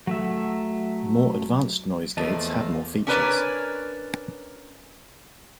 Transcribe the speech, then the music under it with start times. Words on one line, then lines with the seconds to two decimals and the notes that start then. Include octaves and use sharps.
More advanced noise gates have more features.
0.07 F#3 A3 E5
2.17 E2 F3 A3 A#3 D#5 A5
3.07 C#4 D4 A#4 B4 C#5 D5